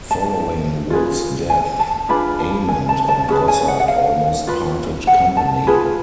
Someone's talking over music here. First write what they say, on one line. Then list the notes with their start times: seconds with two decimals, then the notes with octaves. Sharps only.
Following Wood's death, Ament and Gossard almost parted company.
0.11 A5
0.90 F4 G#4 B4
1.50 G#5
1.79 A5
2.09 D4 F4 G#4 B4 B5
2.39 A5
2.69 G#5
2.89 A5
3.09 A5
3.28 C#4 G#4 B4 A5
3.48 G#5
3.68 F#5
3.80 F#5
3.88 F5
4.47 F4 B4
5.07 F#5
5.37 A5
5.67 F4 G#4 B4